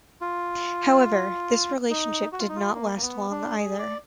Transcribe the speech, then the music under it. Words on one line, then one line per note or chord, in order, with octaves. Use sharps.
However, this relationship did not last long either.
F4
D#4
F#4
F4
D#4
F4
A#3
A#3
B3
D4
G#4
D5